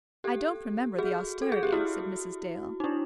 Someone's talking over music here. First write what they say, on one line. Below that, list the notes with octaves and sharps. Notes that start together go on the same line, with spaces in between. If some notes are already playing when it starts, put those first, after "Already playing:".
"I don't remember the austerity," said Mrs. Dale.
G4 A4
F#4 G#4
A4
G#4
G4
E4 F#4
D#4
D4 E4